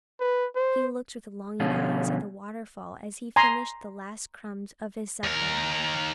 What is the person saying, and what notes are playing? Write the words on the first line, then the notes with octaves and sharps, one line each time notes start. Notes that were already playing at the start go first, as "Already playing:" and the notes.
He looked with longing eyes at the waterfall as he finished the last crumbs of his supper.
B4
C5
B2 D3 F3 C#4 F4
G#5 A#5 C6
D#2 A#4